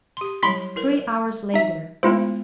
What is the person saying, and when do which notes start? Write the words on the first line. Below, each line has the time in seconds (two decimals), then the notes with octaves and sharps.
Three hours later.
0.17 G4 C6
0.43 F#3 G3 E4 B5 C6 B6
0.76 E4 A#4 B4
1.54 D#4 E5
2.03 G#3 A3 B3 E4 F4 C5